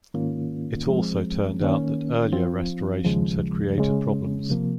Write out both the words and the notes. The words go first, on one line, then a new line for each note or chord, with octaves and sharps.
It also turned out that earlier restorations had created problems.
G#2 D#3 A#3 C#4 F4
F3 G#3 C4
D#3 A#3 C#4
F3 C4 F4
D#2 C#3 F3 G#3
C#3 G#3 C#4
C3 F3 A#3